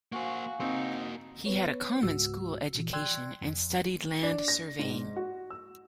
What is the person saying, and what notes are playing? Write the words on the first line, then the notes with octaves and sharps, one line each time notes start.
He had a common-school education, and studied land surveying.
A#3 F#4 C5 F5 G#5 C#6
A#3 C4 D#4 F#4
B3 B4 C#5
C#2 G#2 F#4 E6
A#2 E3
D5 G5 C6 E6 F#6 G#6
F2
D4
A#6
G#2
F#4
E6